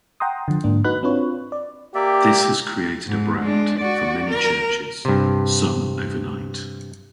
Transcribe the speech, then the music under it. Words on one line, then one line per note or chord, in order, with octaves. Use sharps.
This has created a brand for many churches, some overnight.
F#5 G5 A#5 C6 D#6
D3 F3
G#2 A#3 D4
D#4 F#4 B4 B5 F#6
C4 D4 F4 B4 C#5
D5
A#3 G4 D5 E5
G#2
G#3 D4
F#4 D5
A#4
G2 C3